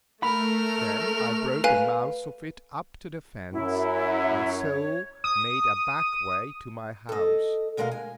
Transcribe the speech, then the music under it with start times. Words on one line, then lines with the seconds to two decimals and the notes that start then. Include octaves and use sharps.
Then I brought the mouth of it up to the fence, and so made a back way to my house.
0.23 A3 A#4 B5 F6
1.64 B4 F5 G#5 D#7
3.52 F#2 E4
4.58 C#5
5.24 D#6
7.09 A4 D#5
7.77 D2 B2 G#3 A#4 F5
7.91 G#5